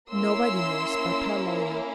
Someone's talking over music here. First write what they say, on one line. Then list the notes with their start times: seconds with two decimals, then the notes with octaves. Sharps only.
"Nobody knows but her lawyer."
0.10 A#3 C#4 E4 C6 E6